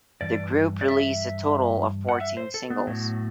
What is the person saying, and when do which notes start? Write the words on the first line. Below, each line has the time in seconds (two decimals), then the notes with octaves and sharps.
The group released a total of fourteen singles.
0.21 G2 E3 D5
0.81 D5
0.88 E5
2.09 F#5
2.20 E5
2.37 C5
2.54 A4
2.70 B3
2.87 A2 F#3